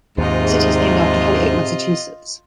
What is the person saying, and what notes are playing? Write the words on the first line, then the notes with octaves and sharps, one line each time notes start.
The city is named after Holyoke, Massachusetts.
D#2 G#2 C3 F4 D#5